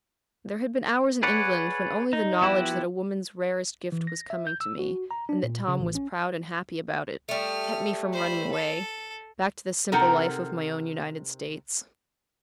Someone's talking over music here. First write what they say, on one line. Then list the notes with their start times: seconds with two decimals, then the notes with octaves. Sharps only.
There had been hours in England when only the knowledge that a woman's rarest gift was coming to me, and that Tom was proud and happy about it, kept me from running away--back to the simple life of my own United States.
1.23 G#4 B4 C#5 D5 F#5
2.13 D#4
2.41 F3 B3 E4 F#4 G4
3.92 E3
4.07 A#6
4.30 E5
4.47 G6
4.61 E6
4.79 F#4
5.11 A#5
5.29 D4
5.43 A#2
5.68 C#3
5.80 A1
5.95 C#4
7.29 G3 A3 D#6 F6
8.13 C5 B5
8.52 A4
9.92 C3 D#4 A4 A#4 F#5